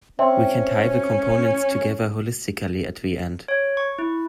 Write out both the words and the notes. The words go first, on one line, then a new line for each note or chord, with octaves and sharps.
We can tie the components together holistically at the end.
C4 C#4 E5
C#5
C#6
E4